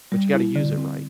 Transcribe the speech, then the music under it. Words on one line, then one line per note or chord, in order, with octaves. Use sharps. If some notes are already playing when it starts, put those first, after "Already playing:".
but you gotta use it right,
G3
E4
D3
C4